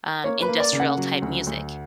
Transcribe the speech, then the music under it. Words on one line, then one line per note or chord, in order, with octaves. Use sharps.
um, industrial type music.
A#3 C#5
B4
A#3
D5
C#3
F#5
F#3
D2
D2